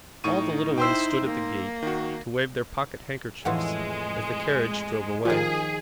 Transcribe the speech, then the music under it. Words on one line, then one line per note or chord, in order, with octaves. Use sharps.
All the little ones stood at the gate, to wave their pocket-handkerchiefs as the carriage drove away.
A2 D#4 C#6 D#7
E4 C5 G5 C6 E6
A#3
D#3 F#4
F2 A2 E3 G#3 F5 F#5 C6
D#3 F3 F4 G4 G#4 A#4